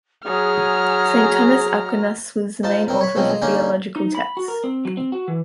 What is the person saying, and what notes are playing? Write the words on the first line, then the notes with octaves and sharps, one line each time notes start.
Saint Thomas Aquinas was the main author for theological texts.
F#3 G#4 A#5 F6
G#2 D#4 F4 A5
F#3 C4 A#4
C#5 B5
B2 F3 F#3 G#3 C4 C#4
G#3
D3 A#3 C#4 D#4 G#4 A#4
D#4
B5
F#4
A#4
C4
F#3
C4
F#4
E3